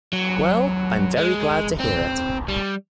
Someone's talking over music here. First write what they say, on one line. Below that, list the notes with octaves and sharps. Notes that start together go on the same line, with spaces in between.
Well, I'm very glad to hear it.
F#3
G#3
C4
G3